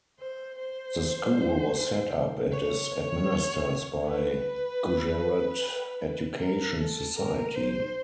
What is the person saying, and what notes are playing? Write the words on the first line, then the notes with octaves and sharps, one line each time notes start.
The School was set up and is administered by Gujarat Education Society.
C5
C5
C#5
B4
A#4
A4
A#4
C5